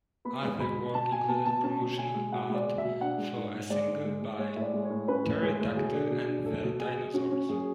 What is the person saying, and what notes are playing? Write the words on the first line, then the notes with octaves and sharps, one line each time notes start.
Other work included promotional art for a single by Terry Dactyl and the Dinosaurs.
B3 B5
G#3
B2 B5
B2
B2 A5
B2 G#5
B3 A5
B2 A5
C#4 A5
B2
B2 G#5
G#3
B2 F#5
G#3 D5
B2
E5
B2
D4 F#5
G#3
G#2
G#2
G#3 D5
G#2
G#3
G#3
G#3 C#5
A2 E5
D5
G#3
C#5
A2
C#4 B4
A2
G#3 G#4
A2
B2 G#4
D4
B2
D4
A3 A4
B2
B2 G#4
B2
C#4 F#4
C#4
F#2 G#4